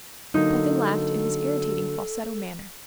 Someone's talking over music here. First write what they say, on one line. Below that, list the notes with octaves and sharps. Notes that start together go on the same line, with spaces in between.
Puffin laughed in his irritating falsetto manner.
D3 F#3 A#3 D#4 A4